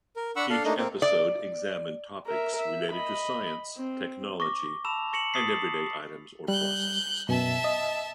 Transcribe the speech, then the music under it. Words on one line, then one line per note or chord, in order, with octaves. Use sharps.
Each episode examined topics related to science, technology, and everyday items or processes.
A#4
D4 F#5 B5 C#6 E6
D4 A4 F5
A3 A#3 D4 D#4 D#5
A#3 C4
D5
A#4 E5
E5
D#5 B5
C4
C#6 D6 A#6
A5 B5 E6 E7 F7
C#6 A#6 C#7 E7 F#7
C#6 D#6 A6 B6 C7
G3 F#6 G6
F#2 B2 E5 A5
D#5